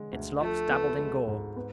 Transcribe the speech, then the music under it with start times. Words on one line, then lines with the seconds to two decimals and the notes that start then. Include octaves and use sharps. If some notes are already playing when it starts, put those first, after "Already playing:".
Its locks dabbled in gore.
Already playing: D3 G#3
0.13 D2
0.41 F3 A3
0.70 B3
0.99 G#3
1.28 G#2
1.56 B3